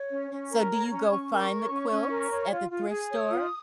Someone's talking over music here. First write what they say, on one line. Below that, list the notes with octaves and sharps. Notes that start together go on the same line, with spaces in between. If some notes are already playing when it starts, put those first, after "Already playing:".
So do you go find the quilts at the thrift store?
Already playing: C#5
C#4
C#4
A#4
C#5 A#5
C#4
C#4 C#6
A#4
C#5
C#4
C#4
A#4
C#5
F4
F4
G#4
C#5 D#6
F4